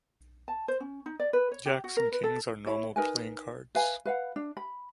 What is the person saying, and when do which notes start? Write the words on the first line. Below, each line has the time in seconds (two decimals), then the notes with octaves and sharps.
Jacks and Kings are normal playing cards.
0.48 A5
0.68 C5
0.80 C#4
1.06 D#4
1.19 D5
1.33 B4
1.52 C#5
1.66 G4
1.84 F#4
1.97 A#4
2.12 B4
2.24 A4
2.66 E4 C#5 B5
2.96 D#4 A#4 B4 G#5
3.75 B4 F5 G#5
4.05 B4 F5 F#5
4.36 D4
4.57 B5